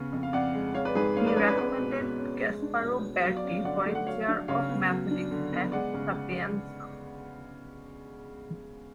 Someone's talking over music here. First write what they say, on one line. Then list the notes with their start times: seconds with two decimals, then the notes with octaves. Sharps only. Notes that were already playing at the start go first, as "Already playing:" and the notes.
He recommended Gasparo Berti for a chair of mathematics at Sapienza.
Already playing: C#3 B3
0.12 F2
0.23 F5
0.33 F2 D5 F#5
0.54 G#3
0.74 G#3 C#5 F5
0.85 B4 D5
0.95 G#2 G#4 B4
1.16 G#2 C#5 F5
1.26 B4 D5
1.37 C#4 B4 D5
1.47 B4 D5
1.57 G#3 B4 D5
1.78 B2
2.00 B2
2.20 C#4
2.41 G#3
2.62 D4
2.82 B2
3.02 B3
3.23 F#3 F5
3.37 D5
3.44 C#4 C#5 F5
3.65 D3 D5 F#5
3.86 A3
3.95 F#5
4.06 F#3 C#5 F5
4.28 D4
4.48 C#3 C#5 F5
4.69 B3
4.90 F#3
5.11 D4
5.31 D3
5.52 B3
5.72 G#3 D5 F#5
5.94 C#3